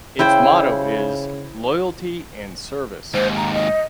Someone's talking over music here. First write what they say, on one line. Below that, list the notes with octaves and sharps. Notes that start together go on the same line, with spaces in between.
Its motto is "Loyalty and Service".
C#3 E4 C5 G5
D#2 G#2 C5
A#5
D#5